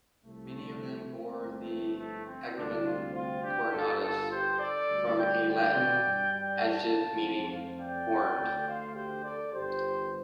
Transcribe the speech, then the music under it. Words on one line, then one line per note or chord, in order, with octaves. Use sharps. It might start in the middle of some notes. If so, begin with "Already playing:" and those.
Many of them bore the agnomen "Cornutus", from a Latin adjective meaning "horned".
C2 C3 F3 A3
C4
G1 G2 F3 A3
A3
C4
D2 C3 G3 A3 D4
C4 F4
C4 F4
D4 G4
G1 G2 G3 F4 A4
F4 A4
G4 C5
A4 D5
D2 D3 G3
D5 G5
D5 G5
G2 G3
D5 G5
F5 A5
F2 F3 A3
C5 F5
D5 G5
D2 D3 A3
C5 F5
G4 C5
A4 D5
G1 G2 D3 G4 C5